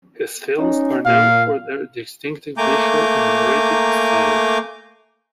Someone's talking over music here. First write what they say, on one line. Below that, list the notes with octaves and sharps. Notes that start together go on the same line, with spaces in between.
His films are known for their distinctive visual and narrative style.
C#4 D#4
A#2 F5
A3 A#3 G#5 A#5 D6 G6